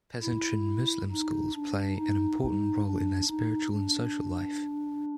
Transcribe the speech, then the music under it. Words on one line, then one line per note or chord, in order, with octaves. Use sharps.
Pesantren Muslim schools play an important role in their spiritual and social life.
E4
D#4
D4
D#4
D#4
D4
D#4
D4